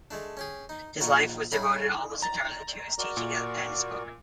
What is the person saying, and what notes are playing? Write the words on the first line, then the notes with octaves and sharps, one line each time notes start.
His life was devoted almost entirely to his teaching and his books.
G#3 A3 D4
C#4 G4 G#4
D#4
A#1 D#3 F#4 A#4 D#5 C#6
A2 C#3 G3 D#4 G#4 B5
A#5 A6
F#4 A#4 D5
A#2 D6